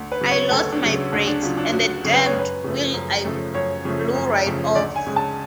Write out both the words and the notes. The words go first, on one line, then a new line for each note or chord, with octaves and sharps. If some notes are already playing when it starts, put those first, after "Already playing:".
I lost my brakes, and the damned wheel blew right off.
Already playing: D2
B4
C#3 F#3
C#5
D2 A4
D4
C#3 F#3
D2 D4
D4
C#3 F#3 F4
D4
D2 F#4
F#4
C#3 F#3
B4
C#5
F#2
B4
C#3 F3 A3
F#2
C#3 F3 A3
F#2 C#5
C#3 F3 A3
F#2
C#3 F3 A3
D2 D5
G#5
C#3 G#3
A5